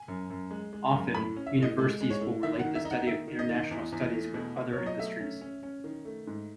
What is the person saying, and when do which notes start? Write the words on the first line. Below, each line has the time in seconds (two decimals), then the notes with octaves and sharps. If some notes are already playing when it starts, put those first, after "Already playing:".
Often, universities will relate the study of International studies with other industries.
Already playing: G#5
0.08 F#2
0.30 F#2
0.51 G#3
0.73 G#3
0.94 F#2
1.15 A2 B5
1.37 C#4
1.47 E5
1.58 A2 D#5
1.78 G#3 A4
2.01 G#3
2.10 C#5
2.21 A2
2.43 D#3 E5
2.59 F#5
2.65 D#3
2.75 E5
2.85 D#4
2.91 F#5
3.07 D#3 E5
3.28 D#3
3.39 D#5
3.49 D#3
3.71 E2
3.92 E2
4.14 A3
4.34 B2
4.56 B2
4.73 C#5
4.78 F#3
4.86 D#5
4.99 A3 E5
5.20 C#4
5.41 C#4
5.63 C#4
5.84 D#3
6.05 A3
6.27 G#2